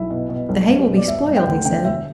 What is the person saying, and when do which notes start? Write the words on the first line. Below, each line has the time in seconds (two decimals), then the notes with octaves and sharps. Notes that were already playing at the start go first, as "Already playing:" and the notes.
"The hay will be spoiled," he said.
Already playing: B1 E4
0.10 B2
0.29 B2
0.49 B1
0.69 B1
0.79 G4
0.87 B2
0.96 D5
1.07 E1 E5
1.27 E1
1.36 G5
1.46 D2
1.65 D3 G5
1.84 E1 E5